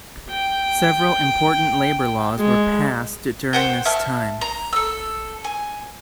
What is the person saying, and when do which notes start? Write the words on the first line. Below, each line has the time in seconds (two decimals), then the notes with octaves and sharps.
Several important labour laws were passed during this time.
0.29 G5
2.38 G#3
3.53 C5 F#5 G5
3.85 E5 A5 F6
4.41 A#5
4.73 A4 E6
5.44 G#5